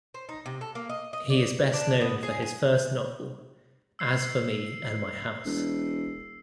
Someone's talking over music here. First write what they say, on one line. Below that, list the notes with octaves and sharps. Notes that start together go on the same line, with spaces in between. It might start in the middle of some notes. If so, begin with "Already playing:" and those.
He is best known for his first novel, "As For Me and My House".
C5
D#4
C3
A4
A#3
D#5
D#5
D5
D4
B3
G#4
G#5
E6 C7
E1